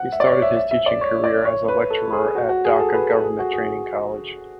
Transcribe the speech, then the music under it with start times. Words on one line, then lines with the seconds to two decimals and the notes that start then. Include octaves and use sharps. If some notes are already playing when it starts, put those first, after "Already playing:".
He started his teaching career as a Lecturer at Dacca Government Training College.
Already playing: F#5
0.12 E5
0.20 D5
0.27 C#5
0.42 E5
0.57 E5
0.71 E5
0.86 D5
1.01 C#5
1.24 D5
1.45 C#5
1.68 B4
1.90 A4
2.13 G#4
2.35 F#4
2.49 F#4
2.65 G#4
2.79 A4
2.94 B4
3.09 A4
3.24 G#4
3.39 F#4
3.53 G#4